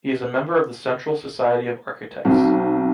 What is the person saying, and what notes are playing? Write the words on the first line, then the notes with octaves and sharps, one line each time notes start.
He is a member of the Central Society of Architects.
B1 C4